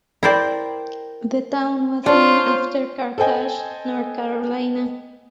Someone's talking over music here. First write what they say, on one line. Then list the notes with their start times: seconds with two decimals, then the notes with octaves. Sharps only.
The town was named after Carthage, North Carolina.
0.23 E4 A#4 C5 D5 G5
2.06 D4 F4 C5 C#5
3.18 A4 C5 D#5 G5 G#5